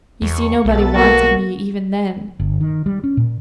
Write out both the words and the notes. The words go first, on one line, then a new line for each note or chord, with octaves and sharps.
You see, nobody wanted me even then.
E2 C#6
B1 B3 A4 A6
A#3 F#4
G1
D#3
G3
C#4
A#2